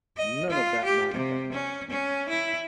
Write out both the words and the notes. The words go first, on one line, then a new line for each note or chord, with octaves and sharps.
None of that nonsense!
D#5
F4
G4
C3
C#4
C#4
E4